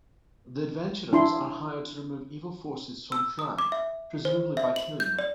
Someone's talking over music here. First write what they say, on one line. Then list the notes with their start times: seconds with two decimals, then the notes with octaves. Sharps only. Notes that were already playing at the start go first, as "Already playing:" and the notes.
The adventurers are hired to remove evil forces from Phlan, presumably by killing them.
1.13 D4 E4 C6
3.12 E6
3.39 D#6
3.58 D6
3.72 E5
4.25 C5
4.57 E5
4.76 F#7
5.00 G6
5.19 D5